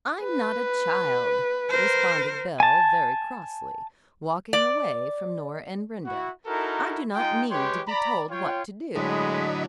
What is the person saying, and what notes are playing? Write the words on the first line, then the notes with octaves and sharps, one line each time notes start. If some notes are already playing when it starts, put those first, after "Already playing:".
"I'm not a child," responded Belle very crossly, walking away from Nora and Brenda, "I do not need to be told what to do."
B4
A#4 C5
G#5 A5
D5
E4 F#4
D#4 E4 F#4 A4 A#4
G#3 D#4 F4 G#4 G5
G#3 G4 B4 C#5 G5 C6
D5 A#5 B5
F4 C#5 G5
A2 D3 F#3 G#3 D#5 B5